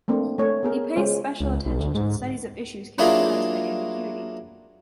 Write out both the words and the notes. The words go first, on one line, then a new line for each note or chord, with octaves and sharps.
He pays special attention to the study of issues characterized by ambiguity.
A3 A#3 C4 D4
A3 C#5
B3 G#4 A#4
G#3 C#4 F4 C5
C#2
B1
D2
G#2
F#3 A#3 D4 E4 F4 G#4